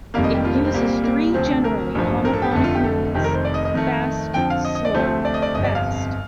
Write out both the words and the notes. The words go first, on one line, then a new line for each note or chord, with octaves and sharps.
It uses three generally homophonic movements: fast-slow-fast.
F1 F2 D#3 G3 A#3 F5
D#5
G4
F4
C4
C4
C2 A#2 G3 A#3
A#3
D2 C3 F3 C4
D4
A#4
A1 G2 F3
A#4
A4
G4
F1 F2 D3 A3 A4
F4
G4
A4
F1 F2 C3 D#3 G4
A#4
C5
D5
D#5
D#5
F2 D#3 A3
F2 D3 F3 G5
F5
D#5
D#5
D5
D2 C3 F3 A3 C5
D5
D#5
D5
G1 F2 C3 D#5
D5
F5